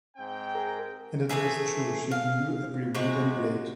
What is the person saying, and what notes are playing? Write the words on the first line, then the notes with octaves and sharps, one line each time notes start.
And it was true, she knew every weed and blade.
G#2 C4 G5
G#4 A#4
E3 A3 G#4 E5
F5
C3 G#3 F#4